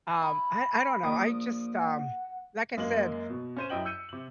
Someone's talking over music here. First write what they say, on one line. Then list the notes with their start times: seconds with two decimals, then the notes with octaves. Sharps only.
Um, I I don't know, I just, um, like I said,
0.22 E4 B5
1.03 A#1 D6 D#6
1.75 F#5
2.77 F#2 G#3 A#3 F#7
3.29 B2
3.56 C#4 C5 D#7
3.70 F#2 E4 D#5 G5 F#7
3.85 E6 G6 C#7 D#7
4.09 C3 F#7